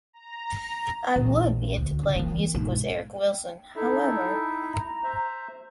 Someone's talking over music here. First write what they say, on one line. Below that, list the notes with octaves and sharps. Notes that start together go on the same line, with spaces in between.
I would be into playing music with Eric Wilson, however.
A#5
A#1 E2
D2
C#3
E3 A#3
B1 G#2
D#4 E4 A4 E5
A#5
C5 E5